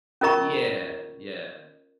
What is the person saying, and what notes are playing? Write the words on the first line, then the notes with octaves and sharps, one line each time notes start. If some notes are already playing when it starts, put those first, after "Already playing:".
Yeah. Yeah.
C#4 F4 A#4 D#5 A#5 C#6